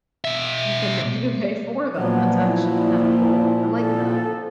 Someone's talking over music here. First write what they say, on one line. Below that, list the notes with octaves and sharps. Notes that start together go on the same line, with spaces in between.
you can you can pay for them, that's actually kinda cool, I like that.
B2 E5
A#2 F3 F#3 B3
E4
A4